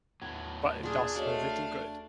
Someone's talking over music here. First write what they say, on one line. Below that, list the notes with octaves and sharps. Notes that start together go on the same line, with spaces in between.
But it does her little good.
D#2 A2 F#3 B3 G#6
A#2 D4 F4 G#4
A3 D4 F#4 C#5 D#5 F5